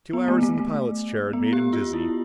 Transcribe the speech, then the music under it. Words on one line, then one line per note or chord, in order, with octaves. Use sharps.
Two hours in the pilot's chair had made him dizzy.
B3
A3
A3
A3
B3
G4
F4
E4